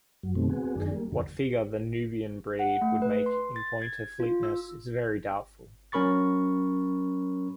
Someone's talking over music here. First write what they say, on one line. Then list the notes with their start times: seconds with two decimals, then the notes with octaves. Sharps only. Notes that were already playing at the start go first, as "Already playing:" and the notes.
What figure the Nubian breed would make in point of fleetness is very doubtful.
0.23 F#2 F#3
0.35 F#2 B2 D#3 G3 A3 C4
0.49 B3 C4 F#4 G#4
0.75 F#2 D#3 D4 G#4
0.92 G3 A#3
1.12 F2 D3
2.59 F#5
2.82 A3
3.02 B4
3.26 C6
3.56 A6
3.82 G#6
4.20 F4
4.43 E6
5.92 F#3 C#4 A#4 B5 C#6 A6